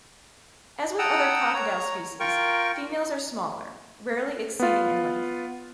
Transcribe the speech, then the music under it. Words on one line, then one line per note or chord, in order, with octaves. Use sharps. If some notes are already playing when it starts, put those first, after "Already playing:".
As with other crocodile species, females are smaller; rarely exceeding in length.
F#5 G5 A5 A#5 D#6 E6
C#5 A#5
F4 A#4 G5 C#6
B3 F4